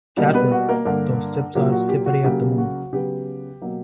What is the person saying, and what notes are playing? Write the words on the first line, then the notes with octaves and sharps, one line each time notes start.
Careful, those steps are slippery at the moment.
B2 G3 A#3 G4
B3 B4
F#4
A#3 A#4
G2 D3 A#3
A#2 F#3 A#3 G4
F#4
G4
F#4
C#3 F#3 A#3 G4
G4
F#4
C#3 F#3 B3 G4
B2 F#3 A#3